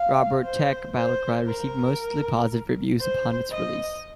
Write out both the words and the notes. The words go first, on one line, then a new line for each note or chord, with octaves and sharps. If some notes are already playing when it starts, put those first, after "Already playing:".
"Robotech: Battlecry" received mostly positive reviews upon its release.
Already playing: F5
C5
C5
A#4
C5
D#5